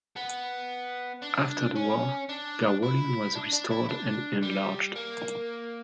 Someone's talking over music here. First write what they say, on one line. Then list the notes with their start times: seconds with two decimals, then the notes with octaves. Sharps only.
After the war Garwolin was restored and enlarged.
0.16 B3
1.23 D4
1.76 C#4
2.29 D4
2.83 E4
3.35 D4
3.53 D4
3.71 E4
3.89 D4
4.42 G3
4.96 A#3